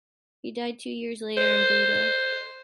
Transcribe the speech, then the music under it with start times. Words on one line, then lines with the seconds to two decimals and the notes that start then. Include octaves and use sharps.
He died two years later in Buda.
1.37 C5